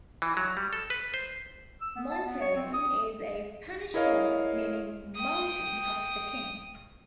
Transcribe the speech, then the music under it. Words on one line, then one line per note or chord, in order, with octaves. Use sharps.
"Monterey" is a Spanish word meaning "mountain of the king".
E3
F#3
G3
A4
B4
C5
E6
B3
A5
B3
C#5
C4
D#6
E4 G#4 A#4 C#5 D#5 F5
G5 D#6